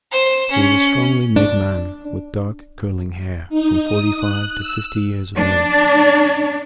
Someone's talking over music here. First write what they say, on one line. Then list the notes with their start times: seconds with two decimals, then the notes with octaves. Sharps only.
He was a strongly made man with dark curling hair, from forty-five to fifty years of age.
0.12 C5
0.51 C#4
1.36 D4
3.50 D#4
3.83 D#6
4.19 F#6
4.57 E6
5.36 D4